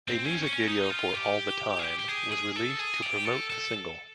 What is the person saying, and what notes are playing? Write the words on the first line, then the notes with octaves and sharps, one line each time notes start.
A music video for "All the Time" was released to promote the single.
C4
C#4
C#4
D#4
F4
G4
G#4
G4
G4
G#4
G#4
A4
G#4
G4
A4
A4